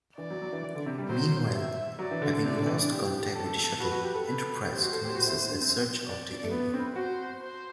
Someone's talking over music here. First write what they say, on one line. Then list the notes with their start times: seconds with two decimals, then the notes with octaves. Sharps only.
Meanwhile, having lost contact with the shuttle, "Enterprise" commences a search of the area.
0.18 E3 D5
0.30 F#3
0.42 F#3
0.53 E3
0.63 E3
0.75 D3
0.86 C3
0.98 G3
1.08 F#3 C5
1.54 E5
1.99 F#3 D5
2.11 E3
2.22 D3
2.33 D3
2.44 C3 D5
2.56 D3
2.66 E3
2.78 D4
2.90 G4
3.34 A4
3.80 F#4 B4
3.91 F#4
4.03 G4
4.14 A4
4.25 B4
4.70 G4 C5
4.82 F#4
4.93 A4
5.04 G4
5.15 F#4
5.27 E4
5.49 D4
5.61 C4
6.06 D5
6.43 A3
6.50 B3 B4
6.74 C4
6.96 F#4 C5
7.42 C5